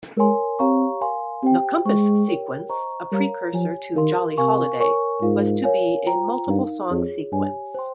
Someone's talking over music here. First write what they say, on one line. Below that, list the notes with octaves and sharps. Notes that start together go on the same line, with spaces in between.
The Compass Sequence, a precursor to "Jolly Holiday", was to be a multiple-song sequence.
G#3 A#4 C#5 G#5 C6
C4 G4 C#5 F5 A#5 C#6
A#4 F5 G#5 C6
C4 G4 C5 G5
G#3 C5 G5 C#6
G4 A#4 C#5 G5
C5 D#5 A#5 C#6
G3 A#4 C#5 F5 A#5
F3 G4 C#5 G#5
D#3 G4 A#4 F5 C6
C3 A#4 F5 G#5 C#6
A#4 C#5 G#5 C#6
G#2 F4 A#4 F5
A#4 C#5 F5 G#5
F4 C5 G5 A#5
G2 D#4 A#4 F5
F2 F4 G#4 C#5
G2 G4 C#5 G#5
C5 G5 C6